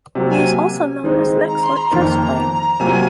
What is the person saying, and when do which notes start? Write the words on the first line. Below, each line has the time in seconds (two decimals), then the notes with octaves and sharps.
He is also known as an excellent chess player.
0.15 C3 F#3 A#3
0.30 G#5
1.03 D#3 G#3 C4 D#4
1.48 A#5
1.63 C6
1.77 A#5
1.91 F2 D#3 A#3
2.79 C3 F#3 A#3 F4 G#5